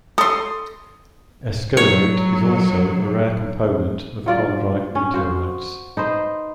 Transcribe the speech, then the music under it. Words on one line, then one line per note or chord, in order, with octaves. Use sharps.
Eskolaite is also a rare component of chondrite meteorites.
A4 C6 D#6
F#3 C#5
F#3 F4 D5
C#4
F#4 C5 F5
D#4 B4 C5